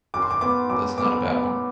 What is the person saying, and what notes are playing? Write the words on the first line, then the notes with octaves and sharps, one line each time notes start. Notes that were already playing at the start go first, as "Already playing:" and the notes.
That's not a bad one.
F#2 D6
C6
D6
B3 D6
F#2 D6
B3 D6
B3